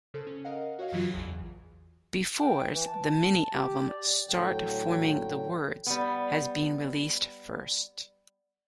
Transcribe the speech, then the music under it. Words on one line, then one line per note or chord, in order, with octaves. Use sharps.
Befores, the Mini Album "Start Forming The Words" has been released first.
C#3 A4 C5
C#4
A#4 D#5 F5 F#5
F#4 C#5 D#5 F5
F#2 C#3 E3 F#3 F4 F#4
A1 E2 G#4
G5
E3
A5
G4
D5
A2 D3 F#3 G5
G3 B3